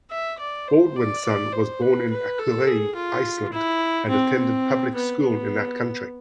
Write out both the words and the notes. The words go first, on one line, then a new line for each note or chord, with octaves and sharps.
Baldwinson was born in Akureyri, Iceland, and attended public school in that country.
E5
D5
C5
D5
D5
C5
B4
B4
A4
G#4
F4
E4
C4
C4
B3
B3